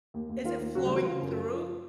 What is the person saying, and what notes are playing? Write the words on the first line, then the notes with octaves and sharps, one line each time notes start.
is it flowing through?
D#2
D#2
D#3 F4
D#2
C#3 F#3 F#4
G3 G4
E3 F#3 F#4
C#3 F4
F#2
F3
F3